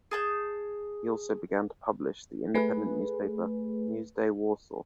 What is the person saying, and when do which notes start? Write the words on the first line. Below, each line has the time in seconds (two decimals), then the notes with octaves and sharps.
He also began to publish the independent newspaper "News Day Warsaw".
0.11 G#4 A5 G6
2.54 A3 G#4 B4